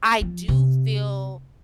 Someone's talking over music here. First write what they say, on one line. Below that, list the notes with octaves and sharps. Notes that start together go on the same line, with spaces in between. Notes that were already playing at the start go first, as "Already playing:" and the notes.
I do feel
F3
C3